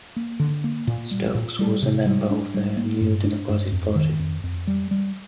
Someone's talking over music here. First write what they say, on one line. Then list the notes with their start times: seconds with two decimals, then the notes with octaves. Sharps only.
Stokes was a member of the New Democratic Party.
0.16 A#3
0.39 D3
0.64 A#3
0.87 A#2
1.11 G3
1.35 A#2
1.59 G3
1.82 C3
2.06 G3
2.30 D4
2.54 G3
2.77 A#3
3.01 G2
3.24 D4
3.49 G2
3.72 F2
3.95 D#3
4.19 F2
4.44 F2
4.67 G3
4.91 G3